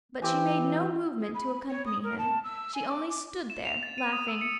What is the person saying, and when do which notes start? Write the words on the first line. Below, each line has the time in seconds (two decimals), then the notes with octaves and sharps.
But she made no movement to accompany him; she only stood there laughing.
0.22 E3 C4 G4 G#5
1.18 G#4
1.34 B5
1.69 C#5
1.86 D#6
2.03 A#4
2.18 A5
2.44 E6
2.75 G#5
2.88 D6
3.09 D6
3.50 E7
3.65 F7
3.83 A6
3.98 D#7
4.13 D#6
4.28 E6
4.41 C#7